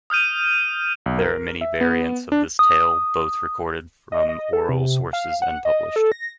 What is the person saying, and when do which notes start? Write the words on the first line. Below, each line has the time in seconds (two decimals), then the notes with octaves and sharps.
There are many variants of this tale, both recorded from oral sources and published.
0.10 D#6 F6 G6 D#7
1.06 B1
1.18 A#4
1.61 E5
1.81 B3
2.32 D4
2.59 D#6
4.12 D#5
4.29 D#5
4.53 A4
4.69 C3
5.13 F5
5.42 F#5
5.65 D#5
5.96 A4
6.12 A#6